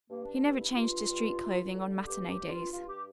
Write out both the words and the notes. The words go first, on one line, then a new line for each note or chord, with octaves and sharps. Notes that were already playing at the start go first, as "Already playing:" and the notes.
He never changed to street clothing on matinee days.
G2 A#3
D4
G2 C4
E4
G2 F4
G2
G2
D3
G2 G4
G4
G2
F4
G2 F4
G4